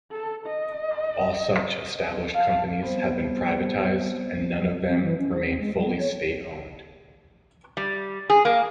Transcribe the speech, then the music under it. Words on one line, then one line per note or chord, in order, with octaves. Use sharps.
All such established companies have been privatised and none of them remain fully state-owned.
A4
D#5
F5 A5
G3 B3 C4 C5
C4
E3
C#4
C5
C4
G#3
G3
B3
C#5
G3
G#4
A#3